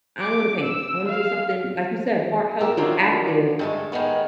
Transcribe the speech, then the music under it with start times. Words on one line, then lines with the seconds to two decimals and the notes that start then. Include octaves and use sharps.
I don't wanna paint. I wanna do something," like you said, heart healthy, active
0.19 D6
0.63 E6
1.08 F5
2.61 E2 G4 A#4 E5
2.77 D#3 F3 F#3 A#3 D4 F4
3.59 G2 G#3 A3
3.92 D#3 G#3 A3 B3